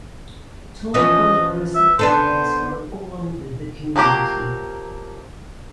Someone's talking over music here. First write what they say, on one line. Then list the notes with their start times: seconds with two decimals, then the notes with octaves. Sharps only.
Tall ponderosa pines grow all over the community.
0.94 E3 F3 C#4 D#5
1.75 E5
1.99 B3 D4 A4 C5
3.96 F3 F#3 A#3 G4 C5